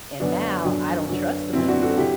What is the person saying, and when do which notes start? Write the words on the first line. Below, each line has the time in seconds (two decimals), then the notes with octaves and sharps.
and now I don't trust them anymore."
0.20 F#2 D3 F#3 B3 D4
0.64 F#2 D3 F#3
1.08 F#2 D3 F#3
1.53 F#2 D3 F#3 C4 E4
1.68 D4 F#4
1.83 F#4 A4
1.97 D3 F#3 E4 G4